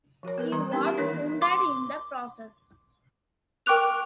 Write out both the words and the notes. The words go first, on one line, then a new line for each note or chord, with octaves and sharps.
He was wounded in the process.
F3 F#4 A#4 C#5
B3 A#4 B4
E3 G3 A#5
B3 C#4 D#4 E4 G4 A#4
G4 E5 F#5
E3 A#3 D4 E4 A#4 C#5
C6 D6
A#4 G5 C#6 D6 F#6 F7